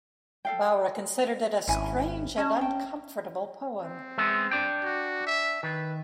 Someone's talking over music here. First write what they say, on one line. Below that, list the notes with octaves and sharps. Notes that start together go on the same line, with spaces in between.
Bowra considered it "a strange and uncomfortable poem".
A4 F5 G5
G#1 C#4 E4 G#5
C#4 D#5 A5
G5 A5
C4
G#3 B3 E5
D4 G5
F#4
E5
D#3 B4